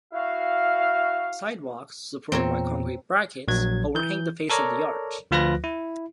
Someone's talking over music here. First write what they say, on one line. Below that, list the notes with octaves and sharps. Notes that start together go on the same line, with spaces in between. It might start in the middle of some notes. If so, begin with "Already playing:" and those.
Sidewalks, supported by concrete brackets, overhang the face of the arch.
E4 F#4 F5
E2 A#2 C4 A#4 C#5
A#1 F#3 G#6
E3 G6
A4 A#4 C#5 D5 A#5
D2 F3 F4 B4 F#6 A#6
E4